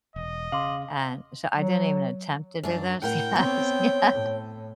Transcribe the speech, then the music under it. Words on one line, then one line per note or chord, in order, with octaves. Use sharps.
And so I didn't even attempt to do this. Yes. Yeah
E1 D#5
C#3 F5 C6 D6 F#7
F#3
F#2 D4
A2 A#4 F#5 G5
B3 C4 C#5
A2